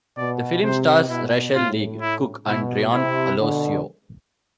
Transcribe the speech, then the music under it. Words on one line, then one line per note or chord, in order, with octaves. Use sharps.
The film stars Rachael Leigh Cook and Ryan Alosio.
B2 D5
C3 C5
B2 E4
A2 F4
E4
B2 E4
C3 E4
B2 D3